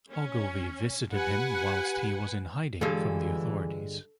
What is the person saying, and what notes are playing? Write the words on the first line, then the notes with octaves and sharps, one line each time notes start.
Ogilvie visited him whilst he was in hiding from the authorities.
C#4
G4 B4 F#5 G#5
G2 D3 E3 G#3 F4 G#4 A4